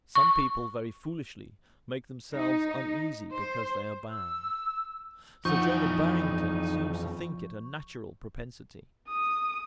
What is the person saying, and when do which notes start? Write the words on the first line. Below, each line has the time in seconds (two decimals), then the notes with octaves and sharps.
Some people, very foolishly, make themselves uneasy because they are bound. Sir Jonah Barrington seems to think it a natural propensity.
0.15 C#6
2.34 D#4
3.32 C5
4.11 E6
5.45 F2 E3 F3 D#4 F#5 C#6 G6
9.08 D#6